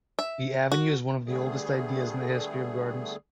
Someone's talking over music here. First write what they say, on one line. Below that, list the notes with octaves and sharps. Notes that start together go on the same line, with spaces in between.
The avenue is one of the oldest ideas in the history of gardens.
E5
F#4
D3 G3 A3 B3 G#4